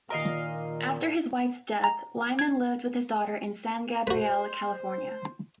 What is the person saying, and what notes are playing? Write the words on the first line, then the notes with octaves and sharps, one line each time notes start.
After his wife's death, Lyman lived with his daughter in San Gabriel, California.
A#2 D#3 A#4 D#5 F5 A#5
A#5
G#6
F#4 B4 C5